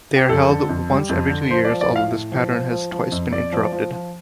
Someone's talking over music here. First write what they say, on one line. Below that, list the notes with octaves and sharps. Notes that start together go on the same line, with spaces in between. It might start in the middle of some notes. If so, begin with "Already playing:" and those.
They are held once every two years, although this pattern has twice been interrupted.
G4
F2 A4
D3
F2
G3
F2
D3
F3 C5
D5
F3
D5
A2 F5
A2
F3
F3
F3
F3
F2
F2 D5
F3
F3
F3